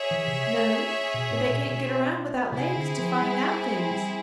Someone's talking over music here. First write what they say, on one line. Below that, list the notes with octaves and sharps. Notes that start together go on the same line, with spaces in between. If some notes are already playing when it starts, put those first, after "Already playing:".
"No; but they can't get around, without legs, to find out things."
Already playing: G#4 C#5 E5
E3
C3
B2
A2
A#2
B2
C3 C4 E4 G#4
D3
F3
G3
G3